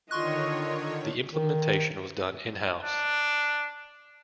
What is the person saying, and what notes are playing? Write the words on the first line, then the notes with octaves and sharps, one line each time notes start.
The implementation was done in-house.
D3 D#3 F4 C#5 D#5 C6 C#6 F#6
D#3
D4